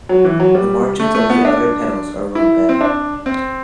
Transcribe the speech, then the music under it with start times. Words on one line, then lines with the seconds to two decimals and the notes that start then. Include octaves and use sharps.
The margins of the outer petals are rolled back.
0.09 F#3
0.25 E3
0.40 F#3
0.55 G3
1.00 A3
1.15 A3
1.30 B3
1.45 D4
2.35 E4
2.69 C4
2.81 D4
3.26 C4